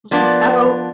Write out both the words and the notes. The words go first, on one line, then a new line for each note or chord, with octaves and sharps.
Mhm. Oh
F3 A#3 B3 D4